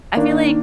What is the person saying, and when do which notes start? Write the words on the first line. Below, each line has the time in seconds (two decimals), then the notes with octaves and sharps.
I feel like
0.17 D#3 A#3 D4